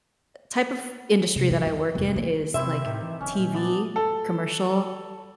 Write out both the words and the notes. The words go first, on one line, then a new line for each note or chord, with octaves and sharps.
type of industry that I work in is, like, TV commercial
C3
E3
F2
F1
A#3
C3 C4 E4 G4 E5
A2 D#3
E3
F#1 C#4
A#2
B3 A5 D6
A4